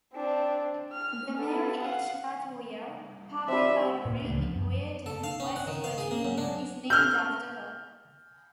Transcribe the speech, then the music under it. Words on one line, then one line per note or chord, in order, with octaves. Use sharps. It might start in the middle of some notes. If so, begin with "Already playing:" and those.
The Mary H. Weir Public Library in Weirton, West Virginia, is named after her.
C4 D4
F6
B3 A4
F5 F#5
G3 C4 E5
A2 A#3
C#2 A3 D4
F3
F#2
A4
F5
C#4
F#5
D#3
F5
G#4
A#3
F#2
D4
F6 G6